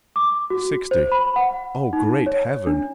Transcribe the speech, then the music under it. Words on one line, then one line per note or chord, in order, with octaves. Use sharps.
Sixty--oh, great heaven!
D6
F#4
C5
B5
F#5
D#4
C#5
D4